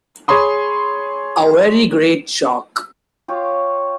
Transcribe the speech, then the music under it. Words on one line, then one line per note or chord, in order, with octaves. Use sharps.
A very great shock.
G#4 C#5 B5 C6 D#6
F4 G4 C#5